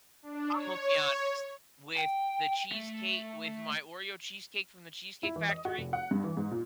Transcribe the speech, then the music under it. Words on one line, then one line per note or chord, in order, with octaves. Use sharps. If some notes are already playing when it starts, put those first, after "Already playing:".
Imma be honest, with the cheesecake with my Oreo cheesecake from The Cheesecake Factory,
D4
C#5
G5
A3
E4
E3
D#5
F#4
F1
F#5
G2
E3
G#2
A#2